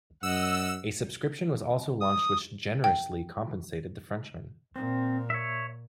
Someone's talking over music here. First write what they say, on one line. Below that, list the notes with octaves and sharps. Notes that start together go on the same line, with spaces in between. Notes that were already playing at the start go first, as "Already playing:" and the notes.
A subscription was also launched which generously compensated the Frenchmen.
F#2 D#5 F#5 E6
D#6
G5
A#2 C4
C#5 E5